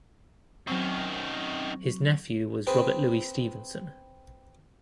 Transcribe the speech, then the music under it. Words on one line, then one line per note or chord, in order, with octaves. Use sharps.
His nephew was Robert Louis Stevenson.
F#2 D#3 F#3 C4 C#6
C4 G#4 B4